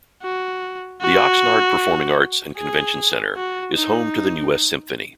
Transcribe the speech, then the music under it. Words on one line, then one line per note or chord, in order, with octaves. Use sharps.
The Oxnard Performing Arts and Convention Center is home to the New West Symphony.
F#4
F#4
G#4
F#4
D#4